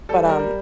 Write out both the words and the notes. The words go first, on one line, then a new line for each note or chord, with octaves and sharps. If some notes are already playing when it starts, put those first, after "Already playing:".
But, um,
G3 A4
G3 A#4
G3